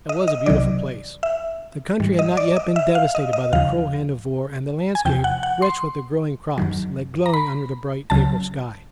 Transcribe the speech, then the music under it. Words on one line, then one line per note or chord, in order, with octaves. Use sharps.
It was a beautiful place. The country had not yet been devastated by the cruel hand of war, and the landscape, rich with the growing crops, lay glowing under the bright April sky.
D#5
D#5
C2 C3 D#3 F#3 D5
E5
G#2 D#3 G3
D#5
D5
D#5
E5
F5
D#5
D#5
D#2 C#3 F3 F5
G#5
E2 C3 F3 G5
F#5
F#5
C6
F#2 D#3 F#3
A#5
B5
C#2 C#3 F#3 A5